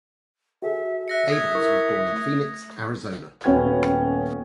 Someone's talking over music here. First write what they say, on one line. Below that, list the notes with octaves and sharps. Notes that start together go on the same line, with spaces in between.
Abels was born in Phoenix, Arizona.
F#4 G#4 A4 E5
E5 F#6 A#6 C#7
D#6 G#6
E4 A#4 C#6
A3
D#1 B3 C#4 F#4 G5 G#6